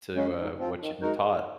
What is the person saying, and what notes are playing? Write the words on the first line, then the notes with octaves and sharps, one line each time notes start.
to, uh, what you've been taught,
C#3 G#3 C#4
G#2
F3 C4 F4
D#3
G#3 D#4 F#4 A#4
G#3